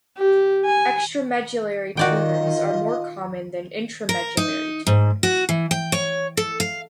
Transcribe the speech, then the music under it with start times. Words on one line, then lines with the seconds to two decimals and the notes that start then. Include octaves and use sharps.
Extramedullary tumours are more common than intramedullary tumours.
0.17 G4
0.65 G#5
1.97 D#3 F4 F#4 D5 D#5 G5
4.09 A#4
4.37 D#4
4.87 G#2
5.23 F#4
5.49 E3
5.71 G5
5.92 C#5
6.37 A4
6.60 F5